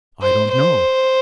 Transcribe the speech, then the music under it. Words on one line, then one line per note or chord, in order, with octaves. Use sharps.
"I don't know."
C5
C5